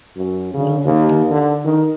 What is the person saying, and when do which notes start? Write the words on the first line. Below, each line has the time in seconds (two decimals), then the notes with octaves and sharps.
Little of that.
0.17 F#2
0.54 C#3
0.85 D#2
1.31 D3
1.64 D#3